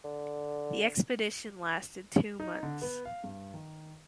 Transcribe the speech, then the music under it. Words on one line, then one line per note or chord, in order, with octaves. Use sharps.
The expedition lasted two months.
D3
D#4
D3
B3
F5
G2
D#3